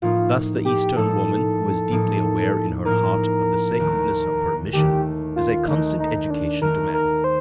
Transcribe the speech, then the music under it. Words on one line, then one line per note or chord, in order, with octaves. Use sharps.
Thus the Eastern woman, who is deeply aware in her heart of the sacredness of her mission, is a constant education to man.
A2 F3 A#3 D#4 F4
G4
A2 F3 A#3 D#4 A4
A2 F3 A#3 D#4
A2 F3 A#3 D#4 A#4
D#2 D#3 A3
D#2 D#3 A3 G4
F4
D#2 D#3 A3 D#4
D#4
D4
D#2 D#3 A3 A#4
A#4
C5